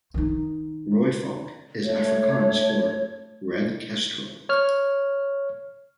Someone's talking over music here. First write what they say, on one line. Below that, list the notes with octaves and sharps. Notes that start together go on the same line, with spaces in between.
"Rooivalk" is Afrikaans for "Red Kestrel".
D#3 D#4
A3 C#5
C#5 F6